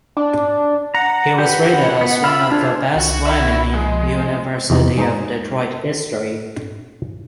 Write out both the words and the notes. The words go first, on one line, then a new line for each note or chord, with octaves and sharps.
He was rated as one of the best linemen in University of Detroit history.
D4
F#5 A#5
G4 B4
B3
F4 E5 F5 B5
D4 F4 G#4 C5
C2 F#4 F#5
E5 B5
F3 G#3
E2 C3 F3 D#4 A#5
G#3 D#4 C5 D#5 A#5